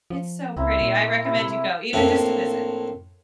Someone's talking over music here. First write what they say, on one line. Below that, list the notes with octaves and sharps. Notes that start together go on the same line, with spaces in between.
It's so pretty, I recommend you go, even just to visit.
F3
C#2 C4 E4 A#4
A#2
D5
C3 E4
A2 F3 A#3 C4 D4 E4